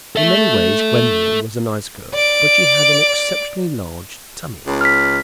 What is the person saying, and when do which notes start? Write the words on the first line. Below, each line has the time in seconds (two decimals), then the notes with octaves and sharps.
In many ways Gwendolen was a nice girl, but she had an exceptionally large tummy.
0.16 A4 E5
2.14 D5 D7
4.66 C#2
4.81 F6 B6